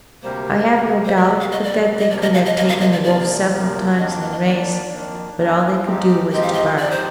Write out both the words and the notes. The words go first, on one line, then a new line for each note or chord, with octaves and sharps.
I have no doubt but that they could have taken the wolf several times in the race, but all they could do was to bark.
D2 C3 G3 A#3 C5
D2 C3 G3 A#3
C5
D2 C3 G3 A#3 A#4
D#5
D5
F5
D#5
D2 C3 G3 A#3 D5
D#5
D2 C3 F3 A#3 D5
D#5
F5
D#5
D2 C3 F3 A#3 D#5
F5
D#5
D5
D2 C3 F3 A#3 D5
D2 C3 F3 A#3
F2 D#3 A#3 D4 D#5
F5
D#5
D#5
F2 D#3 A#3 D4 D5
F2 D#3 A#3 D4
F2 D#3 A#3 D4
G#2 F3 C4 D#4 G4
G#2 F3 C4 D#4 G4 D#5
F5
D#5
G#2 F3 C4 D#4 G4 D5
C5